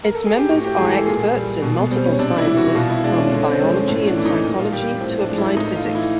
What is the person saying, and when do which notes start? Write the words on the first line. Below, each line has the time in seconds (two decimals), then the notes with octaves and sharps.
Its members are experts in multiple sciences, from biology and psychology to applied physics.
0.04 A#4
0.15 A4
0.26 G#4
0.39 G4
0.50 A2 F#4
0.64 G4
0.78 E3 G#3 G#4
0.92 A4
1.06 A#2 G#4
1.35 G3
1.62 B2
1.79 B3
1.91 G3 C4
2.05 C#4
2.19 C3 D4
2.38 E4
2.47 E3 G3
2.57 F#4
2.75 B2 F4
2.90 E4
3.04 G#3 D4
3.18 C#4
3.32 D3 C#4
3.46 C4
3.53 C#4
3.60 F3 G#3 C4
3.74 C#4
3.88 A2 C#4
4.07 D4
4.16 E3 A3
4.26 D#4
4.45 A#2
4.59 F4
4.73 G3 G4
5.01 A2 C4
5.19 D4
5.29 F3 G#3
5.38 E4
5.57 A2 D#4
5.76 F4
5.85 E3 A3
5.95 E4